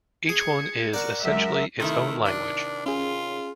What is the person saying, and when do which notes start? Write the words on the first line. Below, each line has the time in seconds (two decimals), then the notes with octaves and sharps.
Each one is, essentially, its own language.
0.29 G#4 G#6 C#7
0.94 A#4 D5 F#5 C#6
1.25 F#2 G#3 A#4 E5
1.80 C3 D#3 A3 E4
2.26 D4
2.86 C#4 F4 G#4